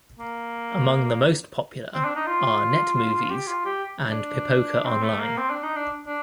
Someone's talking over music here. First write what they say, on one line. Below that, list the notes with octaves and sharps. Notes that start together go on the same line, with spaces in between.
Among the most popular are NetMovies and Pipoca Online.
A#3
C4
D4
D#4
F4
G4
F4
G4
D4
C4
A3
A#3
C4
D4
D#4
D4
D4